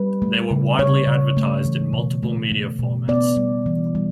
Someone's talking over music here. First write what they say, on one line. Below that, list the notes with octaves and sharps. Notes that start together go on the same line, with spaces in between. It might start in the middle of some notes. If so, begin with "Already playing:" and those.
They were widely advertised in multiple media formats.
Already playing: G3 B4
A3
C#3
C#3 C#5
C#3
A3
E3
B2
A3
A3
B2
B3 D5
G3
E3
G3